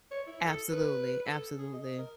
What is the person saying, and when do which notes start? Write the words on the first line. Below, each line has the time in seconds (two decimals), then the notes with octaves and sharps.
Absolutely. Absolutely.
0.11 C#5
0.27 E4
0.46 A4
0.72 B4
1.26 A4
1.58 G#4
1.74 D#5
1.98 A#4